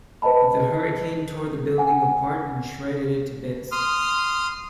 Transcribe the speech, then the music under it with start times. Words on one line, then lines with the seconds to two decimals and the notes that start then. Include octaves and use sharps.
The hurricane tore the building apart and shredded it to bits.
0.22 B4 C5 D#5 A5 B5
1.78 F#5 G#5
3.72 C6 D#6 F6